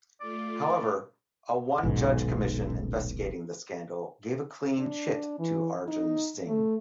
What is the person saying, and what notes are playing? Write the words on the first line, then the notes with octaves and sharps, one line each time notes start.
However, a one-judge commission investigating the scandal gave a clean chit to Arjun Singh.
A3 F4 D5
D#1 B1 G#2
D4
E3
D#4
A3